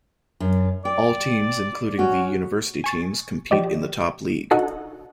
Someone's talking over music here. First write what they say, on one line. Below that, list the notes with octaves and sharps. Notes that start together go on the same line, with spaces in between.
All teams including the University teams compete in the Top League.
F#2
D5 G5
C#4 F#4
G#5 C#6 A6
F3 G4 D5 D#5
D4 D#4 F#4 A4 D#5 F#5